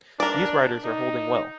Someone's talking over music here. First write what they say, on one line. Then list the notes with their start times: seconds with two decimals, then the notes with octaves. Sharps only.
These riders are holding well.
0.20 D4 A#4 D5
0.85 D#4